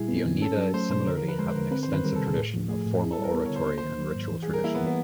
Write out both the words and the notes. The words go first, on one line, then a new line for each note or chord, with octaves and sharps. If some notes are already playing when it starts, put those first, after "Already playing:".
The Oneida similarly have an extensive tradition of formal oratory and ritual tradition.
Already playing: A#2 G3 E4 G#4
B3
D#3
C#4 A4
F#3
A3 C5
B2 C5
D3 A#4
A#4
F3
B4
G#3 C5
B4
D3 A#4
C4 B4
C5
D#3 B4
G3 A#4
A4
C3
G#4
A2
F3
A3 G#4
A2
E4 G#4
A4
G3
A#4
B3 A#4
C#5
D3
C5
A#3 C5
C5
D#3
F#3
G#2
E3
G#4
G3
A#4
A#3 E4
B3
E3
B3